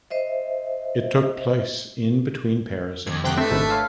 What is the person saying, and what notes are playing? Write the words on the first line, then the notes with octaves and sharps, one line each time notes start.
It took place in between Paris and Madrid.
C5 D#5 E5
D#2 G#2 G#6
D2 C3 G5 F#6
A3 C4 D4 B4 E5
G#1 G#2 A4 A5 B5
C#5 F5 C6